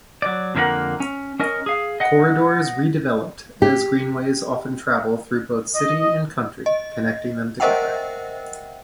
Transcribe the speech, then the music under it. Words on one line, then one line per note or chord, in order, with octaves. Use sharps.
Corridors redeveloped as greenways often travel through both city and country, connecting them together.
F#3 D5
F2 D3 A#3 D4 A#4 F#5
C#4
C#4 A#4 D#5
G#4 F5
D#5 F#5
G4
D#5
D#5
A#4 C5 D#5 E5 F#5 G5